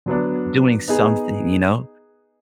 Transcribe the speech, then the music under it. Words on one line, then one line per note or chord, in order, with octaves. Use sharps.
doing something, you know,
D3 F#3 B3 D4
B3 D#4 G#4